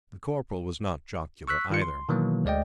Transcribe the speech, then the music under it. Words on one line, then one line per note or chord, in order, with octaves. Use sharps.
The Corporal was not jocular either.
C#6 E6 F#6 B6
D#3 F4 C#7
C6
B2 D#3 E3 F#3 A#3
D2 G#3 D5 D#5 G5